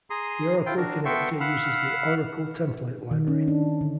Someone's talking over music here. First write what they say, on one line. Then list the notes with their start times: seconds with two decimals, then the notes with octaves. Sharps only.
The Oracle connector uses the Oracle Template Library.
0.10 G#4 A#5 C6 D#6
0.66 E4 F4 G5 C6
0.77 D4 F#4 A#4
1.05 B3 A4 E5 G5 C6 C#6
1.40 F5 F#5 B5 E6 F6
3.11 D#3
3.28 C#4
3.48 D4
3.81 D3